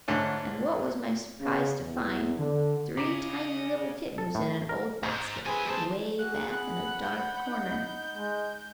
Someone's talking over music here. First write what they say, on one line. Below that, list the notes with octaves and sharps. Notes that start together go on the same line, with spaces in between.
"And what was my surprise to find three tiny little kittens in an old basket, 'way back in a dark corner!"
G#2 D3 A3 C#4
C#3
E2
D3
C#3 C#4 D#5 D6
A4
A2
A#4
G#2 D#4 C5
G2 C4 G#4 B4 G#5
D#2 G#4 C5 A5
A#3 F#4 G#4 F#6
F#5 B5 F#6
G6
D#4
G#3